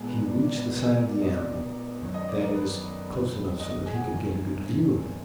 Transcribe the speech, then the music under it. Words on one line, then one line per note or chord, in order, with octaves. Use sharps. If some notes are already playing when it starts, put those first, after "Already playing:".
He reached the side of the animal, that is, close enough so that he could get a good view of it.
Already playing: A#2 G#3 B3 G#4
B4
D5
D5
B4
A#4
G#4
A#4
D5
D#5
D5
F#2 D#3 F#3
D#5
D5
A#4
B4
D#5
G#4
F#4
G#4
F#2 D#3 F#3 A#3